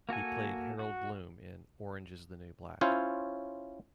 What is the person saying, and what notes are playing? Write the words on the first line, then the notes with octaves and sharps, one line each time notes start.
He played Harold Bloom in "Orange is the New Black".
A#3 F#4 A4 G#5
F#4
C#4 E4 F4 C5 C#5